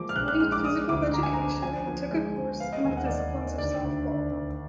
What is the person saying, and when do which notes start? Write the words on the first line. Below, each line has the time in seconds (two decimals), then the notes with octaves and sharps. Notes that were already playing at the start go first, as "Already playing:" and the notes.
She studied physical education and took a course in the disciplines of softball.
Already playing: F3 G#3 A#3 D6
0.09 F6
0.16 A#1 F#6
0.28 F#6
0.40 G#3 F6
0.52 D6
0.65 G#3 D#6
0.89 D2 D6
1.13 D3 A#5
1.23 G#5
1.33 D4 A#5
1.62 F3 G#5
1.87 F3
2.11 G#3
2.36 F3
2.60 B3 F5
2.73 D#5
2.85 D#2 G#5
2.97 F#5
3.05 D5
3.09 D#2 D#5
3.34 D#3
3.58 D2 D5
3.83 D2
4.07 D3
4.32 D2